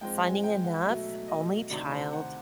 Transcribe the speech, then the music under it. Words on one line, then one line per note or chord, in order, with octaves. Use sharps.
Funny enough, only child,
G#2 F3 G#3 C4 G5
G#5
G5
F#5
B2 F#3 A3 E5
D#5
D2 C3 D#3 D5
C5
F#5